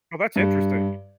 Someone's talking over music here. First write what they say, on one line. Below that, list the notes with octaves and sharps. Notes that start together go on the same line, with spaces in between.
Oh, that's interesting.
G2